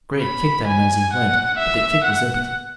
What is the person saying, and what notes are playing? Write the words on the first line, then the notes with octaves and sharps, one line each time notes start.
Grey kicked at him as he went, but the kick was impotent.
B5
G#5
F#5
E5
F#5